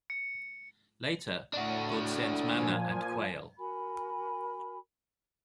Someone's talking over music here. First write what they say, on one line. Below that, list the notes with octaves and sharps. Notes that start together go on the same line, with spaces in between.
Later God sends manna and quail.
C#7
A2 D4 F#4
A#2 F3 G#5
F#4 A#4 G#5 B5